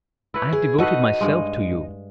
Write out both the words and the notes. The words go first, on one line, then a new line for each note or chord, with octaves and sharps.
I have devoted myself to you.
E4 B4 C#5
G#4
D#4 F#4 A4 B4 D#5
G2 G#3